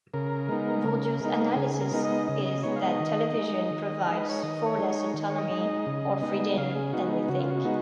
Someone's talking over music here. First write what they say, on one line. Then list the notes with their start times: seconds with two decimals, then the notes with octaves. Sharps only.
Bourdieu's analysis is that television provides far less autonomy, or freedom, than we think.
0.14 C#3 A#4
0.48 G#3 B3 D#4
0.84 C#3
1.21 G#3 B3 D#4
1.47 A#4
1.56 C#3 G#4
1.74 G#4
1.81 A#4
1.92 G#3 B3 D#4
2.05 D#5
2.27 C#3 D#5
2.46 D#5
2.63 G#3 B3 D#4 C#5
2.76 F5
2.82 D#5
3.00 D#3
3.35 G#3 D#4
3.71 D#3
4.07 G#3 D#4
4.16 B4
4.29 C#5
4.43 D#3 D#5
4.66 C#5
4.78 G#3 D#4
4.90 C#5
5.14 D#3
5.30 C#5
5.38 D#5
5.49 G#3 D#4
5.61 D#5
5.86 C#3
6.21 G#3 B3 D#4
6.57 C#3 F5
6.75 G#4
6.93 G#3 B3 D#4 F#4
7.29 C#3 F#4
7.40 F4
7.50 F#4
7.65 G#3 B3 D#4